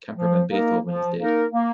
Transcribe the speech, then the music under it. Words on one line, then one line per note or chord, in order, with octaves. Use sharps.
Camper Van Beethoven Is Dead.
F3
A#3 D#4 A#4
F3
A#3 D#4 A#4
A#3